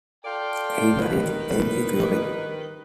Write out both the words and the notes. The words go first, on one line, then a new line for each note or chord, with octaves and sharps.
He married Angie Furey.
F4 A4 D5 F5 G5
D#3 B4